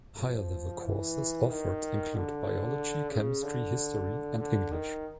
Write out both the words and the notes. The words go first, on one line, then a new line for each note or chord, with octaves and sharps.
Higher level courses offered include Biology, Chemistry, History, and English.
F3
E3
D#3
D3
C#3
D3
D3
D#3